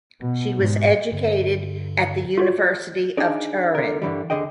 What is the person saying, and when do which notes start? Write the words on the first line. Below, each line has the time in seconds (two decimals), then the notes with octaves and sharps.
She was educated at the University of Turin.
0.21 B2
0.57 G#2
1.12 G2 D3
2.38 F4 F#4 C#5
3.17 D4 D#4 G#4 D5
3.75 D3 A#4
4.02 G2 D3 E3 G3
4.30 D#2 D3 G#4 D#5 G5